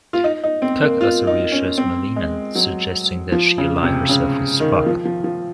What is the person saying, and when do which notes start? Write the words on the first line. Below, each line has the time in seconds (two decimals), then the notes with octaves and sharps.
Kirk also reassures Marlena suggesting that she ally herself with Spock.
0.13 F4
0.24 D#4
0.44 D#4
0.62 C4
0.82 A#3
1.01 F4
1.27 D#4
1.52 C#4
1.78 C4
2.16 G#3
2.55 F#3
3.32 F3
3.58 C#3
3.83 C3
4.09 C#3
4.60 D#3
4.86 F3
5.05 F3
5.24 F3